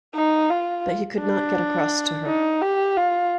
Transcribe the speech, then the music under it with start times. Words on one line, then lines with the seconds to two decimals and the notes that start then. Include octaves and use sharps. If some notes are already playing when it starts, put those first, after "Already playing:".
But he could not get across to her.
0.15 D#4
0.50 F4
1.21 D4
2.26 D#4
2.61 G4
2.97 F4